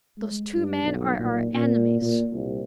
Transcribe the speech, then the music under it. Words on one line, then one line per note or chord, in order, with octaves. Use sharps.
Those two men are our enemies.
G#3
G2
B1
A#2
A#2
A#2
C2